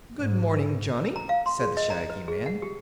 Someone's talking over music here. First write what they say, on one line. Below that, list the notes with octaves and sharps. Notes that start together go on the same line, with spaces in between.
"Good morning, Johnny," said the shaggy man.
G#2
A#5
F5
C6
G#4
D#5
A#5
B4
G#4
F#5
G4